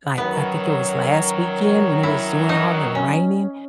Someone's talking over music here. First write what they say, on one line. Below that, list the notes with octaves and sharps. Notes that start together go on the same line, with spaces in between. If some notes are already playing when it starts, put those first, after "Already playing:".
like, I think it was last weekend when it was doing all the raining?
F#2 D#3 F#3 B3
E4
D#4
C#4